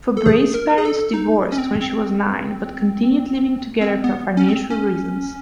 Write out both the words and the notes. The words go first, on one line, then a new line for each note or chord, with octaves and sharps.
Fabray's parents divorced when she was nine, but continued living together for financial reasons.
A4
G#4
A#4
G#4
A4
D#4
C#4
C4
C4
C4
B3
C#4
C4
C#4